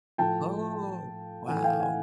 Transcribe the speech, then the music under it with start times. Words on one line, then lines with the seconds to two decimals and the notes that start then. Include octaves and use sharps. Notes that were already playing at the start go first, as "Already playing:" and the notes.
Oh, wow.
0.18 A2 F3 G5 A5
1.47 A2 E3 F#5 G#5
1.58 G#5
1.64 F5 G5
1.80 F#5 G#5